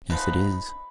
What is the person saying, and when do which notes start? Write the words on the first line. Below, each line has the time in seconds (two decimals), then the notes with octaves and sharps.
"Yes, it is."
0.10 F3 G#3 B3 D#4 B4